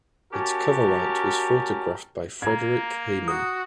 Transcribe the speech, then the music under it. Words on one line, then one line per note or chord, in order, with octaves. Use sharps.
Its cover art was photographed by Frederik Heyman.
C#4 F#4 G4 A#4 A5
A#3 A#5 G#6
F#4 D#6